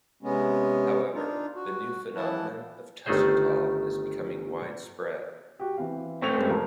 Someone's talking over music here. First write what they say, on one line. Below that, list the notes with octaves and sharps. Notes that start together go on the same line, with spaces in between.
However, the new phenomenon of tussentaal is becoming widespread.
C3 G#3 B3 C#4
D4 D#4 F4
F#4
E3 F3 E4 F#5 A5
G1 D#3 A3 D#4 G#4 C5
F#4 G4
E3 C4 F5
A3 C4 C#6 G#6 F7
F#2 G3 G#3
F3 A#4 C6